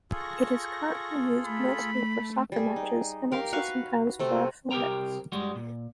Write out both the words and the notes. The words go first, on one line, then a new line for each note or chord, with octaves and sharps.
It is currently used mostly for soccer matches and also sometimes for athletics.
F4 G#4 A4 C#6 A#6
A3 B5
G3 G#4
D#4
G4 A#4 F5
F#4 B4 F5 C#6
C3 A3 C4
C2 G4 A#4 C5 G5 A#5
G2 G3 G#3 F#4
A#2